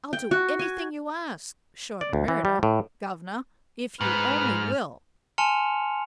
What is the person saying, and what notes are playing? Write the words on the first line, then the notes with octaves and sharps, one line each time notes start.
'I'll do anything you ask, short o' murder, governor, if you only will.'
G5
F#4
G#5
D5
D2
E3
G3
A2
G#2 B4 F6
G#5 A5 C6 F6 C#7 F7